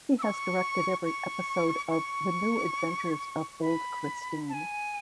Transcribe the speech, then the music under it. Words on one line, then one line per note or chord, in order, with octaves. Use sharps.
He has directed every episode of "The New Adventures of Old Christine".
E6
C#6
C#6
C#6
B5
A5
G#5